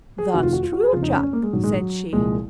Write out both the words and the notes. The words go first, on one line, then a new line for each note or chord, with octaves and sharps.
"That's true, Jack," said she.
G#4
F1 F2 D#3 F#4
F4
F#4
F4
F#4
G#4
F#1 F2 C#3 F3 F4
D#4
C#4
C#4
A#3
G#3
A#1 G#2 D#3 F#3
G#3
F#3
C2 A#2 F3 G#3